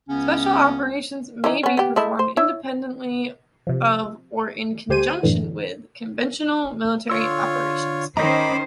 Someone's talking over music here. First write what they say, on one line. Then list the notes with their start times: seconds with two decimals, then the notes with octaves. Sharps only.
Special operations may be performed independently of or in conjunction with, conventional military operations.
0.08 C#2 C#3 B3 C#4
1.44 E3 C#4 D#4
1.63 B3 C#4
1.77 B3 G4
1.96 G#3 A3 E4
2.19 C5
2.37 E4 C#5 E5
3.67 C3 F3
4.89 D2 A3 G4 C5 G#5 D#7
5.23 F#2 A2 D3 E3
7.10 D3 F4 C#5 C6 E6
8.17 D#3 C#4 C5 D#5 A#5 B5 D6 G6